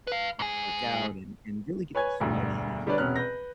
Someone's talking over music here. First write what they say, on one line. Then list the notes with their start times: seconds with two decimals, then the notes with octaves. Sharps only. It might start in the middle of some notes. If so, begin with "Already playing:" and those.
work out, and and really get to sweating,
0.07 B4 F5
0.39 G#2 G#4
1.95 B4 C#5 G#5 G#6
2.20 E1 D2 G2
2.86 D3 G3 D4 B4 C#5 D5
2.98 E1 C3 B3 C#4 F6 F#6
3.16 B4 G6 A#6